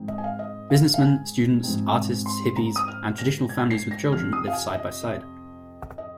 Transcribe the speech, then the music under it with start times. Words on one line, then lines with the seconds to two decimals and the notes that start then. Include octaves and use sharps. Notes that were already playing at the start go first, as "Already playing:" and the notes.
Businessmen, students, artists, hippies and traditional families with children live side-by-side.
Already playing: G#2 F3 G#3 C4 D#4
0.08 D#5
0.18 G#5
0.24 F5
0.39 D#5
0.70 F5
0.94 F5
1.02 G#5
1.63 G#2 F3 C4 D#4
2.26 C6
2.56 A#5
2.76 D#6
2.88 F6
3.18 A#6
3.49 G#6
3.70 C7
3.91 A#6
4.12 F2 C3 F3 F6
4.33 D#6
4.48 F5
4.53 G#5
4.74 D#5
5.98 D#5